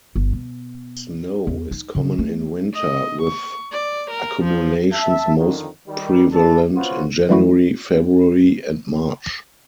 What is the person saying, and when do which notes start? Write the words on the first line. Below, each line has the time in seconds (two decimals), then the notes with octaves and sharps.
Snow is common in winter, with accumulations most prevalent in January, February, and March.
0.16 G1
0.33 B2
1.47 E2
1.71 D#4
1.95 C#3
2.19 A3
2.73 D#5
3.22 C#6
3.72 D5
4.11 A#4
4.44 F3
4.92 E5 A5
5.37 F2 D3 D#3
5.87 D#3 G3
6.32 A4 B4 D5 A5
6.75 B3 C#4 F4 F#4 C5
7.29 E3 G3 A3 E4 F#4